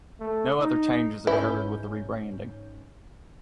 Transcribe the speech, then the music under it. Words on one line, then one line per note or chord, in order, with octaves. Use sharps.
No other changes occurred with the rebranding.
A3
D#4
G#2 C#4 E4 B4 G6